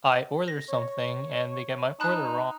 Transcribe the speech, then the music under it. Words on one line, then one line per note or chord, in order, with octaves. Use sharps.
I order something and they get my order,
A#6
C#5
D#4 A5 B5 F#6